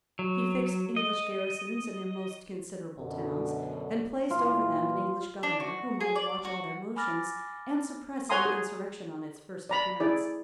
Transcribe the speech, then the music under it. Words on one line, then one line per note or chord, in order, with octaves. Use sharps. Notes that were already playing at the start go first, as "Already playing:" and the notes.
He fixed English garrisons in their most considerable towns, and placed over them an English governor, who might watch all their motions, and suppress any insurrection on its first appearance.
F#3
D#5
F#2 B2 D3
A#2 E3 F4
D4
F#4
G#4
D5
F#4
G#5 B5 D6 F6 A6 A#6
C#5 F#5 G#5 A#5 C6 D#6
G#4
D5 A#5 B5
E4 G#4 D5